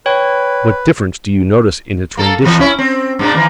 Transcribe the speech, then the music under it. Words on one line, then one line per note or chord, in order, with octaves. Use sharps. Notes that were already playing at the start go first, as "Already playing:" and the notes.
What difference do you notice in its rendition?
B4 C#5 G5
A#3 A4
F2 A#2 E3
C#4 E4
C4
G2 A#2 D4
D#3 E3 A#3